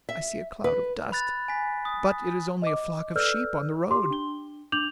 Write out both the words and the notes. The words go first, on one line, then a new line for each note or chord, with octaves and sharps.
"I see a cloud of dust, but it is only a flock of sheep on the road."
E5
B4
B5 F#6 A6
G#5 B6
D#6
D#5 D6
A4 B4 D5 E6 F6 G6
G4 C6 D6
D4 G7
D4 D6 G6 F7 F#7